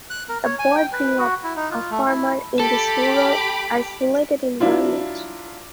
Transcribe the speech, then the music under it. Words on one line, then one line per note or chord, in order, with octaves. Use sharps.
The boy grew up a farmer in this rural, isolated environment.
F#6
A#4
C#5
G#5
G5
B4
F#4
E4
D#4
F4
A3
E4
G4 A4 B5 D6
F#3 D4 E4 F4